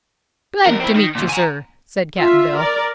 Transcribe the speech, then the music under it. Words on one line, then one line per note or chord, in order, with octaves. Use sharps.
"Glad to meet you, sir," said Cap'n Bill.
E2 A#4
C4 E4
D#3
D2 A#2
G#5 A#5
F4 E5
A#4 D5